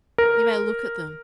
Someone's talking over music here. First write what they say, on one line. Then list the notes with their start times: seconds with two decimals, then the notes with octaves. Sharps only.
"You may look at them."
0.18 A#4